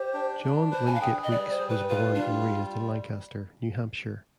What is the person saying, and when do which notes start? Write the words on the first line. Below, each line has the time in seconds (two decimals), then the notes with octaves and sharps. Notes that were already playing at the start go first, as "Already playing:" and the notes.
John Wingate Weeks was born and raised in Lancaster, New Hampshire.
Already playing: G4 C5
0.14 D4
0.43 D4
0.71 B4 C5
0.87 G#5
0.95 F5
1.01 G#4 G5
1.23 D#5
1.30 G3 D5
1.51 C5
1.60 G3
1.69 B4
1.89 F4 B4
2.14 G3 D4